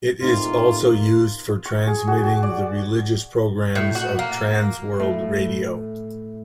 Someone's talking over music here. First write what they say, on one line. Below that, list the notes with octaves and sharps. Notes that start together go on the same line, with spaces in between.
It is also used for transmitting the religious programmes of Trans World Radio.
F2 A2 C3 A#3 D#4 F4
C#6
G#4
F#4
F#4
D5
A2
F#4
A#3
A2